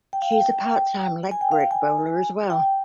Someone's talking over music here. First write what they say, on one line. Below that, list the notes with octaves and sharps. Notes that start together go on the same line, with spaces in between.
She is a part-time leg-break bowler as well.
G5
F5
G5
G5
G#5
G5
F5
G5
G#5
G5